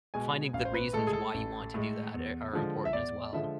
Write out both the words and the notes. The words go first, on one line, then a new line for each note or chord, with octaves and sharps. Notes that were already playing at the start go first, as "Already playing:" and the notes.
finding the reasons why you want to do that e are important as well.
B2 G#3 G#5
A1 F5
C5
B4
A2 G#3 A4
G#4
A4
A1
A2 G#3
E2
D3 F3 G#3
E5
E2 D5
D3 F3 G#3 E5